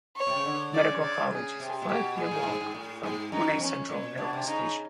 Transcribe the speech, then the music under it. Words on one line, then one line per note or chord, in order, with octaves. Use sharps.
Medical College is a five-minute walk from Pune central railway station.
C#5
C3
C#3
D3
C#3 D5
C#3
D5
G#4
C3
A#2
B2 G4
A#2 G#4
A2
G#2
G#2
A2
G#2 G#4
F#2 D#4
F2 C#4
A#2
B2 D4
C3
C#3 D#4